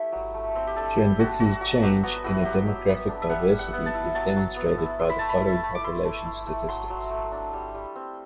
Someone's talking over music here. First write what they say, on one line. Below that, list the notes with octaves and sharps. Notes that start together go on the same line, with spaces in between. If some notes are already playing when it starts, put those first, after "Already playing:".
Chernivtsi's change in demographic diversity is demonstrated by the following population statistics.
Already playing: A3 E4 G4
F#3
A3
C4
G4
D4 A4
G3 G4
D4 F#4
G3 F#4
F#3 F#4
F#3 G4
B3 F#4
E4 F#4
F#3 G4
F#3
B3
D4
E5
G3 F#5
G3
F#5
B3
A5
E4
F#3 A5
F#3
B3
E4
E4 C6
B5
A3 A5
B5
E4
A3
D6
E4 C6
A3
E4
A3
F#3 C6
F#3
A3
D4
G3
G3
C4